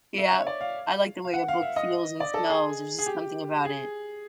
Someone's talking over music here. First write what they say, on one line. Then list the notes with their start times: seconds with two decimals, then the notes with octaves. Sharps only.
Yep. I like the way a book feels and smells, there's just something about it.
0.18 E5
0.32 C#5
0.47 D5
0.61 F5
1.25 F5
1.34 F#5
1.48 F5
1.62 E5
1.76 D#5
2.20 D5
2.34 A4
2.49 G#4
2.99 G#4
3.06 G4
3.65 G#4